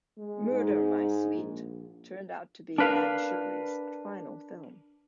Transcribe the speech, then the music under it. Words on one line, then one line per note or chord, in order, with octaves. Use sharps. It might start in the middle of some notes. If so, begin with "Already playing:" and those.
"Murder, My Sweet" turned out to be Anne Shirley's final film.
G#3
G#2
A#1
D4 A#4 B4 F5